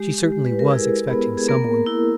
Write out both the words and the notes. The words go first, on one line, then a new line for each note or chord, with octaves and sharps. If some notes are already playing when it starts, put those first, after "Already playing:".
She certainly was expecting some one.
Already playing: G#3 G4
G4
G#3
B4
A#4
E4 G#4
B3
G#4
A#3 A#4
E4